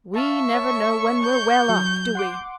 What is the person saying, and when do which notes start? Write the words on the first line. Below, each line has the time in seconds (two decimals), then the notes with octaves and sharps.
We never know when we're well off, do we?
0.16 E5 F5 A5 C#6
0.53 C#5 A5
1.23 G6
1.69 F#3
2.15 F#5 C6 D6